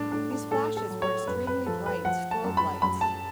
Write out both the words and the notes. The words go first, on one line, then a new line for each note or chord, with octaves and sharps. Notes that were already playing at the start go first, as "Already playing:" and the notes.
These flashes were extremely bright strobe lights.
Already playing: A2 D4
A2 D4
D4
A2 A4
A4
F#3
C#5
F#2 B4
B4
F3 A4
B4
F3 F#5
A5
F#2
B5
F#2 B5
A5